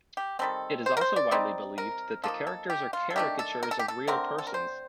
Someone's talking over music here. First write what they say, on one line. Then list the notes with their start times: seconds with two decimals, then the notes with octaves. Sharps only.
It is also widely believed that the characters are caricatures of real persons.
0.17 G4
0.39 D#3 G3 C4 A4
0.86 C5
0.97 A#4
1.01 C5
1.16 D5
1.31 G3 C4 D#4
1.78 A#4
2.24 F3 A#3 D#4 A4
2.47 A4
2.70 G4
2.93 F4
3.10 A4
3.16 D#3 A3 D4 G4
3.39 A4
3.63 A#4
3.71 A4
3.79 G4
3.88 A4
4.07 D3 A3 C4 A#4
4.38 A4
4.47 A#4
4.54 C5